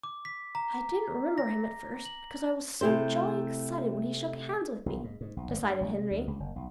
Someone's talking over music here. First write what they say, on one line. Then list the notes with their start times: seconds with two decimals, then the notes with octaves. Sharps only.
"I didn't remember him at first, because I was so jolly excited when he shook hands with me," decided Henry.
0.03 D6
0.25 B6
0.55 A#5
1.38 A#6
2.05 F#7
2.81 C3 A3 E4 C5
4.86 B1
5.04 G#2
5.21 G#2
5.37 B1
5.48 G#1
5.63 G2
5.81 A#1
5.94 C3
6.11 D2
6.28 C#2
6.40 F#1
6.56 B1